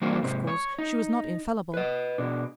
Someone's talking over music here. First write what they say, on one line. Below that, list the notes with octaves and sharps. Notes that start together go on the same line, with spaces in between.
Of course she was not infallible.
E3 G3 A#3 C4 D4 F#4
G#2 C3
C#5
D#4
B4 D#5
B2 D4